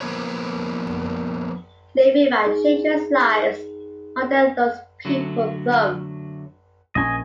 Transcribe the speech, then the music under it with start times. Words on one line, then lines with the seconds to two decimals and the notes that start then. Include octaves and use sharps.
Leaving my children's lives under those people thumb.
0.01 F3 A#3 B3 B4 C#5
2.45 D#4 G#4
5.05 D3 F#3 A3
6.95 A#1 C#4 D#5 G#5